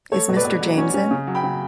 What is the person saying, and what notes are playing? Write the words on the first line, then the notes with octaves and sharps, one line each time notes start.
Is Mr. James in?
A3 A4 C#5
B2
B4 D5
B2
F#3
C#4
C#4
C#3
F#3
G5 B5
C#3